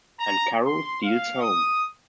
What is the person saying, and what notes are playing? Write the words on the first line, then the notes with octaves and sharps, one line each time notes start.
"And Carew steals home".
A#5
C6
F5
D#6